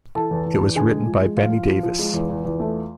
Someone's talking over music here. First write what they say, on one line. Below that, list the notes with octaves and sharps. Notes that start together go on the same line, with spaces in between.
It was written by Benny Davis.
E3 A4 A5
E2
E2
E2
D3 G#4 G#5
G#3
F3
G#3
F3 F4 F5
F3
F3
F3
G#3
E2
E2
E2
A3